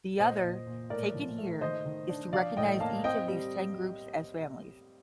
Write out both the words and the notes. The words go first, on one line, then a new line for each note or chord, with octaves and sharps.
The other, taken here, is to recognize each of these ten groups as families.
A#2 C5 D#5
A#2
A#2
A2 A#4 D5
F3
A3
D#3 C5 D#5
D#3
D4
F3 D5 F5
A2 D#5 G5
A#3 F5 A5
C4 D#5 G5
G3